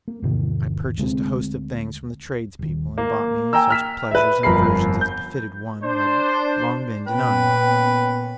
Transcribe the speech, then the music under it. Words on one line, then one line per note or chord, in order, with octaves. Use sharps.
I purchased a host of things from the tradespeople, and bought me such pleasures and diversions as befitted one who had long been denied.
A#3
E2 G#2 C3 D#3
D2 G#3 B3 C4
D#1 D#3
A#3
G5 G#5 A#5 E6
F6 B6 E7
B4 E5
G1 F2 A#4 B5 C7
G6
D4 C5
A#2 B3 C#4 B4 G5